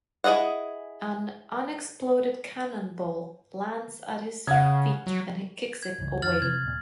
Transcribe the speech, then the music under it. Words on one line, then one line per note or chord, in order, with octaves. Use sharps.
An unexploded cannonball lands at his feet and he kicks it away.
E4 G#4 D5 D#5 F#5
C#3 F#5 G#6
F#3
G#6
G1 C#2 E3
F2 D#3 F6 A6 F#7
C3 G#6
D#1 D#2 A#2